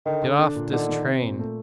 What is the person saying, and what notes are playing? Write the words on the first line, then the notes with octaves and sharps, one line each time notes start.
"Get off this train."
D3 D#3
D3
D4
A#2
D3 D#3
D#3
C4
A#2
A3